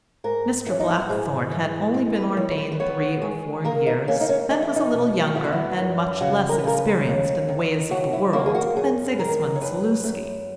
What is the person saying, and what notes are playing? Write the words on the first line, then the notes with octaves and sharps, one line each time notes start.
Mr. Blackthorne had only been ordained three or four years, and was a little younger, and much less experienced in the ways of the world, than Sigismund Zaluski.
G#2 A#4
E3 C#4
D#4
E4
F#4
G#2 G#4
E3
G#3
B4
D#3 C#5
C#5
B4
B4
B3 C#5
G#3
A#3 A#4
D#4
A#3 C#4
D#4
C#4
E2 D#4
E4
D#4
B2
B3 E4
F#4
E4
F#2
C#3 F#4
A#4
B4
C#3 A#4
B4
D#2
D#3
D#2 F#4
E4
A#3 F#4
G#4
F#4
F#2 G#4
B4
D#3 A#4
C#5
F#2 B4
F#2